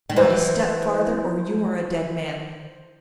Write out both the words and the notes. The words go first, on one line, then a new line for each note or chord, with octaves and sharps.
"Not a step farther, or you are a dead man!"
D#3
E3 C5